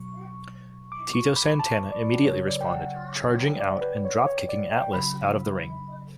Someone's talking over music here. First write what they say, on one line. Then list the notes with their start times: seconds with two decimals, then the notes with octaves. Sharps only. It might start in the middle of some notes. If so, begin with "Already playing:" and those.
Tito Santana immediately responded, charging out and dropkicking Atlas out of the ring.
Already playing: B2 F#3 C#6
0.92 D6
1.14 C#6
1.36 B5
1.59 A5
1.92 D5
2.25 C#3 F#3 C#5
2.48 D5
2.61 G5
2.70 F#5
3.60 D5
3.81 B4
4.05 C#5
4.26 C#5
4.49 D5
4.72 G5
4.93 C#3 F#3 B5